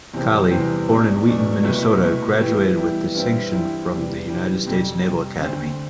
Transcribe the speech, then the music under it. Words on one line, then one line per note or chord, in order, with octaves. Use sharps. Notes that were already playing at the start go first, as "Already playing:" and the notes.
Colley, born in Wheaton, Minnesota, graduated with distinction from the United States Naval Academy.
E2 C3 E3 G3 C4
E2 C3 E3 G3 C4
E2 B2 A3 D4
E2 B2 A3 D4
C2 B2 A3 E4 B4
C2 B2 A3 E4 B4
E3 G3 B3 E4 G4
E3 G3 B3 E4 G4
G2 E3 G3 C4 E4
G2 E3 G3 C4 E4
C3 E3 G3 D4
C3 E3 G3 D4
F2 C3 G3
F2 C3 G3
D2 D3 A3 C4